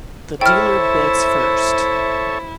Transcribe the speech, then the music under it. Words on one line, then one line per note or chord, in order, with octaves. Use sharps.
The dealer bids first.
E4 A4 C5 C#5 E5 G5 F6